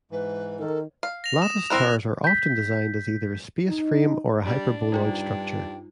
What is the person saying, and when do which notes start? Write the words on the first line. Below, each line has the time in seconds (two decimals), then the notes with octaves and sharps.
Lattice towers are often designed as either a space frame or a hyperboloid structure.
0.11 G#2 E3 B4
0.59 D#3 A4 A#4
1.03 F5
1.24 A#6 F7
1.41 D#6 E7
1.70 C4 E4 A#4 F#6 A#6
2.24 G6 B6
3.66 D#4
4.46 G3 D4 D5
4.92 G2 G3 D#4 F4 G5